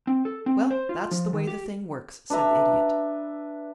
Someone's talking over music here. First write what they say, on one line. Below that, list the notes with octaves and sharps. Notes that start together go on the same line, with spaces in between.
"Well, that's the way the thing works," said the Idiot.
C4
A4
C4
C5
F4
F3
D#3
G4
D4 B4 E5 A#5